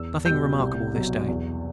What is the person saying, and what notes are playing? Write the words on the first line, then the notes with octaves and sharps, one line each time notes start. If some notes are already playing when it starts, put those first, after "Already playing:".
Nothing remarkable this day.
Already playing: E2 E6
B2 G3 G6
C2
B2 F#3
E2